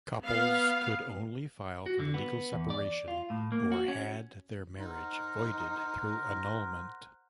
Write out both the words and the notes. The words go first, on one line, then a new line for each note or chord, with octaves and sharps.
Couples could only file for legal separation or had their marriage voided through annulment.
B3 F5
F#4
D3
B3
E2
D5
F4
A2
A#3
F#4
C#4
D#4 A#4 C5 F#5